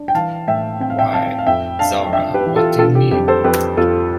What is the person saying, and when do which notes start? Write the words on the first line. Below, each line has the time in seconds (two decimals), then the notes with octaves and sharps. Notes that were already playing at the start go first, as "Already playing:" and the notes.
Why, Zahra, what do you mean?
Already playing: D4
0.08 G5
0.15 E3 F5 A5
0.48 A2 E5 G5
0.80 C4 G5
0.90 F5
0.98 E5 G5
1.14 C4 F5 A5
1.39 F5
1.47 F2 E5 G5
1.79 D4 F5 A5
2.12 D4 E5 G5
2.34 G4 B4
2.46 E3
2.56 F4 A4
2.78 D3 F4 A4
2.95 G4
3.11 F2 G4
3.28 A4 C5
3.44 F2 G4 B4
3.77 F2 F4 A4